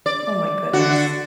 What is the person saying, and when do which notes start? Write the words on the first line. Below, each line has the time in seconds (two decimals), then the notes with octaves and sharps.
Oh my goodness.
0.06 D5
0.73 D3 F#4